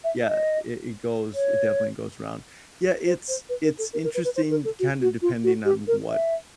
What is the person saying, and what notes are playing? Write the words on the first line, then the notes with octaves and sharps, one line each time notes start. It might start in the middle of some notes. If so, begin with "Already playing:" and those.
yeah, i it goes it definitely goes around. Yeah, it's it's interesting kinda depending on what
E5
D#5
C#5
C5
C5
B4
A#4
A4
A#4
A#4
B4
B4
C5
A#4
A4
F#4
F#4
F4
F#4
G4
A#4
E5